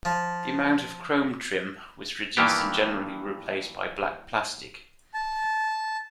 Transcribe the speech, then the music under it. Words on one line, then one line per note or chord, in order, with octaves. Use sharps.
The amount of chrome trim was reduced and generally replaced by black plastic.
F3
G2 D#3 E3 A#3 B3 G4
A5